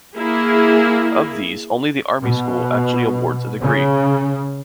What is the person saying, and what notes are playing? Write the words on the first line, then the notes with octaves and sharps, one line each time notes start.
Of these, only the Army school actually awards a degree.
A#3 E4 G#4
B2
C#3